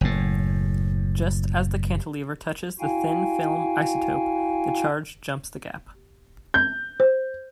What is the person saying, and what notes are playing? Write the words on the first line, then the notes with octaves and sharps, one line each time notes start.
Just as the cantilever touches the thin-film isotope, the charge jumps the gap.
F#1 A2
E4 F#4 F5 G5 G#5
G6
C5